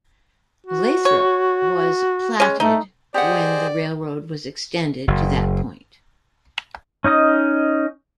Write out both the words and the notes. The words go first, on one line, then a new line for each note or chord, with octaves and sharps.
Lathrop was platted when the railroad was extended to that point.
F#4
C#5
G#3 C#4
A3 D#4
G4 G#4 C5 D5 D#5 F#5
F#1
C#4 D#4 D#5 D#6